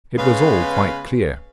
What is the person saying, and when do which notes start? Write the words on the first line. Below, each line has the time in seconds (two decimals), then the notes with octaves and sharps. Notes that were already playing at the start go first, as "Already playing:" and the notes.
It was all quite clear.
0.18 C#3 G#3 B3 B4 C#5 F5